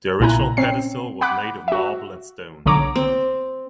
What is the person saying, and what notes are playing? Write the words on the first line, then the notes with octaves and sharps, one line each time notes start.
The original pedestal was made of marble and stone.
B1 A#2 E4 G#5 A#5 F#6
C4 C#4 C7
F#5 B5 D6 F#6
F#4 E5
B1 D3 F#3 C#5 A#5 D6
C4